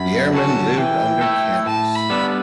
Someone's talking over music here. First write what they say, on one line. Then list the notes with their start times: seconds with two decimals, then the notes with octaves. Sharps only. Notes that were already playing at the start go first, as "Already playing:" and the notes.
The airmen lived under canvas.
Already playing: F#2 B5
0.33 D3 F#3 C#4 F#4 A5
0.77 E3 G5
1.21 A3 E4 A4
1.66 A2 A5
1.95 B5
2.10 G3 B3 D4 A4